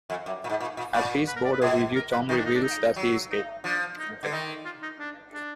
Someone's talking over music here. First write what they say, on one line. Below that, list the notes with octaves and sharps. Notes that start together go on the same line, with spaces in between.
At his board of review Tom reveals that he is gay.
F2
F#2
A#2
G#2
A#2
A#2
A#2 D5
B4
A#4
D5
B4
B2 G#4
A#4
B4
D#3 D#4
D4
D#4
D4
D#4
F#3
D#4
F3 D4
D#4
D3
D#3 D#4
F4
D#4
D4
D4